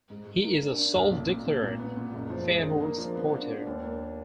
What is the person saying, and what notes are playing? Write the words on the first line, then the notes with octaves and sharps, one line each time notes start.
He is a self-declared Feyenoord supporter.
G#2
G#2
A#3
D4
D4
B1
A#2
A#2
A#2
A#2
B3
A#2
F#1
F3
G#3
D4
A#3
F3
B3
D4
D4
D#2
A#3